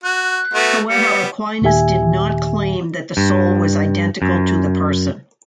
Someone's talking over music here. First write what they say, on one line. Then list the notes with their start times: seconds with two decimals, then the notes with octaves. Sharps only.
However, Aquinas did not claim that the soul was identical to the person.
0.03 F#4 F#6
0.54 A3 B3 F#4
0.89 G3 B3 C#7
1.62 D#2 A#2 D#3 G4 E5 G#5
3.17 G2
4.22 F#2